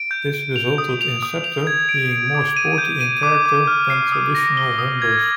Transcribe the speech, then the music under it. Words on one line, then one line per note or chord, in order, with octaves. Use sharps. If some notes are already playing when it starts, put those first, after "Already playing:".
This resulted in the Sceptre being more sporty in character than traditional Humbers.
Already playing: D7
G6
D7
F7
D#6
F7
D#6
F7
G#6
D7
D7
D6
D#7
G6
D#7
D6
D6
F6
C7
D#6
A#6
G7
D#6
G#6